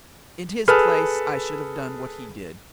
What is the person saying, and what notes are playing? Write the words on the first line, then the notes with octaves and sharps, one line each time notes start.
In his place I should have done what he did.
G#4 A4 B4 F6